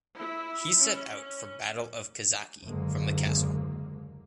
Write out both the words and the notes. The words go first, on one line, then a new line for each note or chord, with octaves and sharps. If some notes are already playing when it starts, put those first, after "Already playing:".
He set out for Battle of Kizaki from the castle.
E4
C#4
F#1 D#2 D3 G#3 A#3